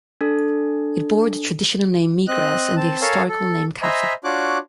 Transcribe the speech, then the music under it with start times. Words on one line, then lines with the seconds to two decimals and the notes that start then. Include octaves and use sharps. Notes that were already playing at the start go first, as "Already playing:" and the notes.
It bore the traditional name "Megrez" and the historical name "Kaffa".
0.21 D4 A4
2.28 C4 D#5 F#6
2.77 C4 A5
3.02 A4 A#4 C#5 F5 G#5 A5
3.28 A4
3.82 C5 D#5 E5 G#5 A#5 B5
4.24 D4 F4 F#4 C#5 D6 F#6